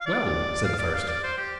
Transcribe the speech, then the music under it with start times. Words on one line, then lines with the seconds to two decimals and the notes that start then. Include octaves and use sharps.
"Well!" said the first.
0.01 F5
0.06 D5
0.64 F5
0.79 D5
0.95 F5
1.08 D5
1.24 C5
1.38 G4